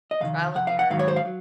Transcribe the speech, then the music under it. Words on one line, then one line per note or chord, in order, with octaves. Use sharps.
Trial and error.
D#5
F2 C3 D#3 F5
F2 C3 F#5
F5
F#5
G#2 D#3 F#3 F5
C#5
C5
F5
F#3